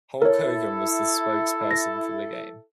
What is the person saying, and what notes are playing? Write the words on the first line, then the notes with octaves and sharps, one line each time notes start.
Hulk Hogan was the spokesperson for the game.
E4 A4 A#4 C#5
A#6